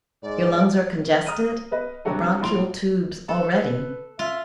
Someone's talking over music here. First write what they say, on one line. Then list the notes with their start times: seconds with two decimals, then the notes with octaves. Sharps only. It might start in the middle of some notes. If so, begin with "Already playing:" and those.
Your lungs are congested, the bronchial tubes already.
0.23 G#2 D5
1.26 A#5 D#6 F6 F#6 D#7
1.71 B3 B4 D#5
2.05 C3 F#3 G3 D4 F#4 A4
2.41 A#1 A2 C6 D7 F7
3.29 A4 B4
4.19 F4 E5